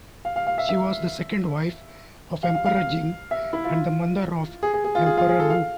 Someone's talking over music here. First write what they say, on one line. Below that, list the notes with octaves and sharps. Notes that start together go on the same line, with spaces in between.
She was the second wife of Emperor Jing and the mother of Emperor Wu.
F5
F5
F5
E5
E5
F5
F5
F5
F5
E5
E4
F4
G#4
G#4
G#4
F4
G#4
F4
G#4
A4
F5